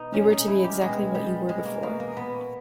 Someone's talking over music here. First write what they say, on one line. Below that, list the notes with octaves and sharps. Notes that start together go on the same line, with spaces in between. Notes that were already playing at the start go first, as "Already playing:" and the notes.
You were to be exactly what you were before.
Already playing: B2 D#4
A#2 C#4
D#4
A#2 E4
G4
B2 G#3
B2 G3
B2 G#3
A#3
B2 A#3
A#3
A#2 B3